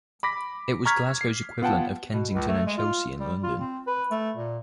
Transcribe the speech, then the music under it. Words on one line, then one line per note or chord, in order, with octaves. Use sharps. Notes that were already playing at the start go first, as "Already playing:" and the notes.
It was Glasgow's equivalent of Kensington and Chelsea in London.
B5 D6 A#6 B6
A#5 C#6 F6 G#6 B6
C7
B3 F4 F#5 G5 A5
B2
C#2
A3
G#3
F4
G3
F4
C4
B4
A3
A#2